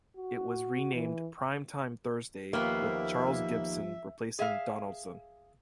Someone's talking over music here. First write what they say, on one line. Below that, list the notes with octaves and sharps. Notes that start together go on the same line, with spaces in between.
It was renamed "Primetime Thursday" with Charles Gibson replacing Donaldson.
F#4
E3
D#2 F3 A#3 B3 E5
G#4 E5 F5